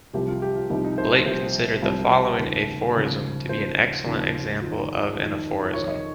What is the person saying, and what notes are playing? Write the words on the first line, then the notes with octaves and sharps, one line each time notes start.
Blake considered the following aphorism to be an excellent example of an aphorism.
C2 C3 F3 G4
F4
G4
F4
C2 C3 F3 D#4
D#4
C5
C5
C2 C3 F3 C5
C2 C3 F3
D#2 C#3 F3
D#2 C#3 F3
D#2 C#3 F3 C5
D#2 C#3 F3
F2 D#3
F2 D#3
F2 D#3 C#5
D#5